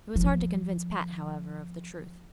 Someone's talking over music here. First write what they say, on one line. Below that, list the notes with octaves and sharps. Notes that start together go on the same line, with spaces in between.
It was hard to convince Pat, however, of the truth.
F3